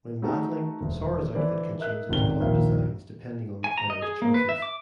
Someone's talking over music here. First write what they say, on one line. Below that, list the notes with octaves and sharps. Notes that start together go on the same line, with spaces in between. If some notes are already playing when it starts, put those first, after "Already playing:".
When battling, Sora's outfit can change into other designs depending on the player's choices.
A3 D#4 F#4 G#4 A4
E1 D2
D3 E3 E4 C5 D5
A#4 D#5 E5 F#6
D1 G#1 C#2 C3 D4 G7
A#1 D#2 E5 F5
G#5
A#5
D#5
G#4
A#3
B4
E5
D6